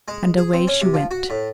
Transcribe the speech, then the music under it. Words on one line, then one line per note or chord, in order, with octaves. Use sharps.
And away she went.
G#3
G#4
C4
C#4
C3
F3
F#4
A2